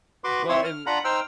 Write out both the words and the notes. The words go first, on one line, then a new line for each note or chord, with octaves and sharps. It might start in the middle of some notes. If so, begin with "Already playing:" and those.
Well, and
F#4 B4 C6 D6
C4 E4 C#5 C6
F6
D4 F4 F#5 A#5 B5
D#4 C5 G5 E6 F6